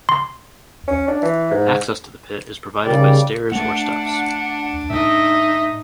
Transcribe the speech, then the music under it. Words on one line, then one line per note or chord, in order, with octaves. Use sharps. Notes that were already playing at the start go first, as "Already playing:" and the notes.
Access to the pit is provided by stairs or steps.
C6
C#4
D4
E3
G#2
D#2 C#3 G3 D5
A3 D4 F#5
A2 D#4 D#5 E5